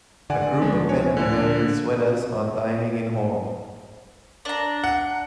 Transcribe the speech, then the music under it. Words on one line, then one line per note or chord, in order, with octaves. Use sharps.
A group of men wearing sweaters are dining in hall.
D3 D5 F#5 G#5
D2 F3 G#3 B3 D4
C#5 G#5
D3 D4
D4 A#5
F#5